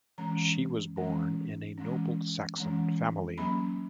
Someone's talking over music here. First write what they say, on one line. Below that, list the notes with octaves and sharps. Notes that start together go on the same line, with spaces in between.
She was born in a noble Saxon family.
E3 G#3 C#4 A#5
E3 G#3 C#4
E3 G#3 C#4
E3 G#3 C#4
F#3 A#3 C#4 B5